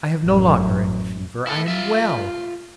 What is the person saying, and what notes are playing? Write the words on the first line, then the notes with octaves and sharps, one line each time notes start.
I have no longer any fever; I am well.
A1 F#2
E4 A4
F4 E5